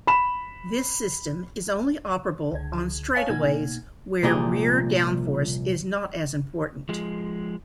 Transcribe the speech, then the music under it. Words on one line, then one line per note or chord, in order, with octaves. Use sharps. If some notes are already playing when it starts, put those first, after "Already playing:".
This system is only operable on straightaways where rear downforce is not as important.
B5 E7
C#2 D3 G#6
C#5 F5 G#5 A5
B2 A#3 D#4 G#5 G#6
C2 A#2 F3 G4 G#4
F3 G#3